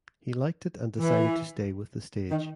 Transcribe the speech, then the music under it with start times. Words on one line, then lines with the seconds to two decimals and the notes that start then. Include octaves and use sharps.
He liked it and decided to stay with the stage.
0.99 E3
2.30 D#3